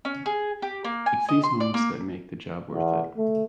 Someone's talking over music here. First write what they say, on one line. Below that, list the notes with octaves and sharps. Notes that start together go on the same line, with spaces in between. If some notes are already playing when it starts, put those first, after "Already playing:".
It's these moments that make the job worth it.
C#4
G#4
G4
A#3
G#5
D#5
C6
D5
A#3
E2
A3